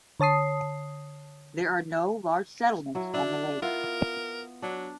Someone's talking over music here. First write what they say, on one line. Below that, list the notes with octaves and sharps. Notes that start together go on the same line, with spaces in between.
There are no large settlements on the lake.
D3 C#5 A5 D#6 C7
F#3 E4
D4 E4
B3 E4 F4 A#4
F#3 D4